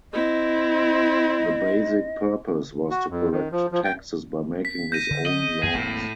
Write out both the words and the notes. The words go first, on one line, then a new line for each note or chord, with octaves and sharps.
The basic purpose was to collect taxes by making his own laws.
C4 E4 D#5
F#4
F2
D#3
F3
F3
G5
B6
G6 A#6 D#7
D3
D#5
F#2 G#4
E1 A2 A#3 C4